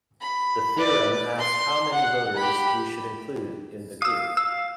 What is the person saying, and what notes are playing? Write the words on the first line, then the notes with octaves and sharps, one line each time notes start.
The theorem asks how many voters we should include in the group.
B5
B4 D5
C6
F#5
G4 B5
F5 D#6 E6
F5 E6